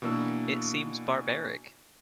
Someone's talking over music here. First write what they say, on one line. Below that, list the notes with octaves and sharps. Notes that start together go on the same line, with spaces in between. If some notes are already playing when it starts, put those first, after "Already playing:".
It seems barbaric.
B2 E3 A#3 D4 E6